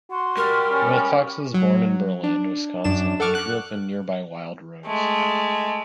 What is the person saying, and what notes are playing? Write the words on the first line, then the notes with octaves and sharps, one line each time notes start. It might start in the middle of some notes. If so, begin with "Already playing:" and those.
Wilcox was born in Berlin, Wisconsin, and grew up in nearby Wild Rose.
F#4 C6
G3 A#4
C#4
F#3
D4
F#2 D4 E7
A4 F#5 C#6 D6 F6
F#6
G#3 A3